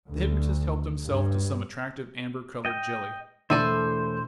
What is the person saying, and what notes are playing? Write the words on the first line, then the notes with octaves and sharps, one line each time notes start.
The hypnotist helped himself to some attractive amber-coloured jelly.
D2
G2
D#5 G5
E1 A3 E4 A4 C5 D5 D#7